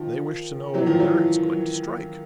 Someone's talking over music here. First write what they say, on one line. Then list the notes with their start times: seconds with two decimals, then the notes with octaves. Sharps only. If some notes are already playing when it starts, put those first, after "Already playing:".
They wish to know where it is going to strike.
Already playing: D#3 F3
0.74 E3 F#3
0.86 D#3 F3
0.99 E3 F#3